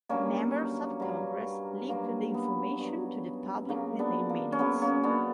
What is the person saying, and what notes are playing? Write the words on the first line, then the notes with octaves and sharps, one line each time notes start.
Members of Congress leaked the information to the public within minutes.
G2 F#3 A#3 C#4
G2 F#3
G2 F#3 A#3
B3
G2 F#3
F#2 C#3 F#3 A#3 C#4
B3 D4
A#3
C#4
F#2 C#3 F#3 B3
A#3 C#4
B3 D4